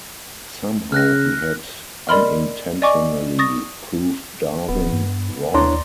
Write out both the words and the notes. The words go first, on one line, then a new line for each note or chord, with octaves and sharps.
Somehow he had unintentionally proved Darwin wrong.
C#3 F6 F#6 A#6
A#4 D5 D#5 B5 C6 F6
D5 D#5 G#5 C#6 D6
C#6 D#6 A6 A#6
D1 B3
G2
D#2 D4 E4 C#5 D5 A#5 C6